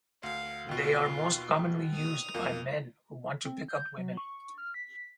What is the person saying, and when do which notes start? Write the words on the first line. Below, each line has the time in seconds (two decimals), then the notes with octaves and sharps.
They are most commonly used by men who want to pick up women.
0.23 D2 F5
0.69 D#2 B2 F4 C6
1.94 D#6 F7
2.34 F2 A#3
3.45 C4
3.68 G6
3.98 F#3
4.17 C#6
4.58 F6
4.74 B6